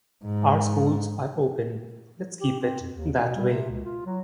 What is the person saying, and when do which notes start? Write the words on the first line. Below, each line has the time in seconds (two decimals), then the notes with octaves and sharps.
Our schools are open. Let’s keep it that way.
0.25 G#2
2.41 G4
2.60 C4
2.81 F2
2.96 D#2
3.13 B2
3.36 G3
3.49 C3
3.69 C#2
3.85 F4
4.06 F#3